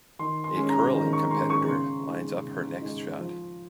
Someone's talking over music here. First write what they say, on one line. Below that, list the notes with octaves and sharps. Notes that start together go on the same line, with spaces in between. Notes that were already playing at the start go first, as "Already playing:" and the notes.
A curling competitor lines up her next shot.
D#3 C6
C6
G#3 C#4
A#5
D#3
C#6
G#3 C#4 C6
C#6
C#3 C6
G#3 D#4
C#3
G#3 D#4
F3